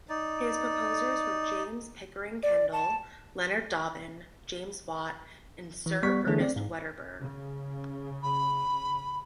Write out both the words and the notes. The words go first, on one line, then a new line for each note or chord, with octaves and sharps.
His proposers were James Pickering Kendall, Leonard Dobbin, James Watt, and Sir Ernest Wedderburn.
D#4 D5
D5
A5
E3
G3 B3 C#6 B6
D3 E3 A3 D4 G#4
C4 D5
G#2
C#3
B5